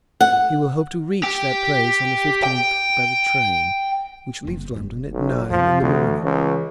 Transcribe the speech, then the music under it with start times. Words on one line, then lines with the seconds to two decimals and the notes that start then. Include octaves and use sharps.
"He will hope to reach that place on the fifteenth by the train which leaves London at nine in the morning."
0.21 F#5
1.24 G4
2.44 G5
4.45 F#1 C4
4.76 F#1
5.13 B1
5.50 F#2 F3
5.82 D2 E3
6.23 C#2